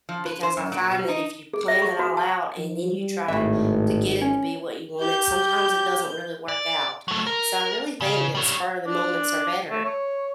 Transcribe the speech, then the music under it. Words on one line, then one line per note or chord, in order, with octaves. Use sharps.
because I find that if you plan it all out and then you try to get it to be what you wanted, sometimes it doesn't really work out, so I really think that spur of the moments are better.
F3
B4
C5
F#2
A#2
B2
D#4
G#4
E5
C#6
F#4
A5
F3
G3
G#1 A2 E5
C#4
G4 G6
D5
F#3 A3
A#4
C#3
G3 C#5
D4
A3
C#5